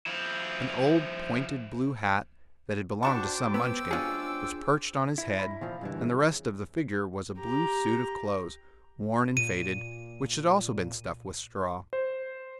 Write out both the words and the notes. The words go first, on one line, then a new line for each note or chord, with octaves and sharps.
An old, pointed blue hat, that had belonged to some Munchkin, was perched on his head, and the rest of the figure was a blue suit of clothes, worn and faded, which had also been stuffed with straw.
F3 E4
D4 F#4 C5 G5 A5 C#6 D6
B3 E6
G#3 C#4 D4 F4 G#4
E4
B5 A#6
A#2 D#3 F3 F5
F#2 B2 D3 E3 G3
C#4 G#4
G4 A#5
A#2 D#7
C5